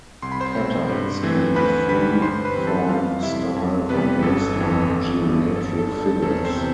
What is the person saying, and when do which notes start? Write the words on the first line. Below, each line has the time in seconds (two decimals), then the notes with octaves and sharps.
Patterns can be free form style or based on geometric figures.
0.22 C2 C6
0.32 B5
0.41 C5 C6
0.56 B2 A3 C4
0.89 G2
1.22 E3 A3 C4
1.56 D2 B4 B5
1.89 D3 G3 B4 B5
2.22 G2 C5 C6
2.45 B4 B5
2.56 E3 G3 C4
2.67 A4 A5
2.89 F2 F4 F5
3.23 C3 G3 E4 E5
3.56 F2
3.89 C3 G3 B3 B4
4.22 G1 A4
4.56 F2 E3
4.90 G1
5.22 G2 F3
5.56 G1 A4
5.79 A4
5.89 G2 F3
6.01 A4
6.22 E2 A4
6.45 C4 C5
6.56 C3 E3